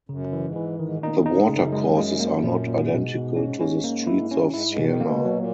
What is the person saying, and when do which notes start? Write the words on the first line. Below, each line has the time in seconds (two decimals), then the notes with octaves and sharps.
The watercourses are not identical to the streets of Siena.
0.09 F#2 C#3
0.33 E3
0.43 G#2
0.56 E3
0.79 G#2 D#3
0.96 A#2
1.03 D#4
1.15 A#2
1.26 D#4
1.33 G#2
1.49 F#2 C#3
1.72 G#3
1.97 G#3
2.20 A#3
2.44 A#2
2.66 A#2
2.90 G#2 B2
3.14 B2
3.36 C#4
3.61 C#4
3.84 A#3
4.07 E4
4.31 G#2 C#4
4.49 G#2 E4
4.67 G#2
4.78 B2
4.84 D#3
5.01 B2 A#3
5.25 F#3
5.36 A#2